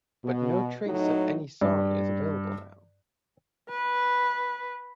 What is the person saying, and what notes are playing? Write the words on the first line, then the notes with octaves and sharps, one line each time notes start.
But no trace of any song is available now.
B2
A2 F#3 D#4
G2
B4